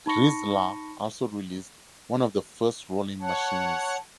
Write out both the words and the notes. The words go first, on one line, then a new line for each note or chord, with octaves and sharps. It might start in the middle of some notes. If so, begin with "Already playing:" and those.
RizLa also released one of the first rolling machines.
D#4 A5 B5 C#6 A#6 C#7
C#5 F#5 A5